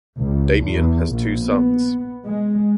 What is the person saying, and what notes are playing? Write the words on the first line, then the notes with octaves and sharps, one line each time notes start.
Damien has two sons.
C#2
E2
A#1
B3
G#3